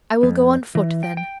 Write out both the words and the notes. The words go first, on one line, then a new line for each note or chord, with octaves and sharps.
"I will go on foot, then."
F2
E3
G5
G5